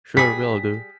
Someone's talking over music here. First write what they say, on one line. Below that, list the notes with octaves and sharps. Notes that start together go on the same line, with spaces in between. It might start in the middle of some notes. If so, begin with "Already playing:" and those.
Sure, we all do!
G3 G#4 B6